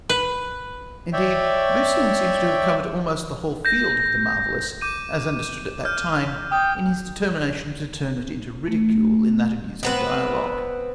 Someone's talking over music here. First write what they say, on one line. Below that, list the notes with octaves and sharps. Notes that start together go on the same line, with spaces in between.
Indeed, Lucian seems to have covered almost the whole field of the marvellous, as understood at that time, in his determination to turn it into ridicule in that amusing dialogue.
B4
C#5 D5 E5 G5
G6 A#6
D6 G6 D#7
F6 G6
G5 D#6
A3
B3 C4 B4